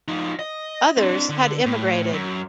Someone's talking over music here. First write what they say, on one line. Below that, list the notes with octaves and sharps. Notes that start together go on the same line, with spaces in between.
Others had emigrated.
F3 D#4
D#5
C4 D4
D3
A2
F#2